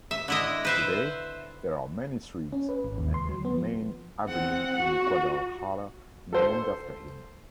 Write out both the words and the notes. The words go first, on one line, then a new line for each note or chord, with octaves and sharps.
Today, there are many streets and a main avenue in Guadalajara named after him.
E5
D3 E4 D#5
B4 C5 E5
C#4
B4
G#1
D#2
C6
F#3
B3
F3
C4 F#5
F#4
A4 C5